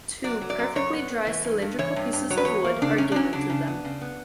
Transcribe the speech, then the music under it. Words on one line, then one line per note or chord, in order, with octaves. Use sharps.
Two perfectly dry cylindrical pieces of wood are given to them.
F#3 D5
F#3
D5
F#2
F#2 C#5
B3
B3
E3
G2
G2
E3 C#5
G2
G2
F#3 C#5
B4
E2 C#5
A#3
C#3 D4
E2 C#4
D4
F#3 C#4
C#3 D4
C#3
B3
C#3
B3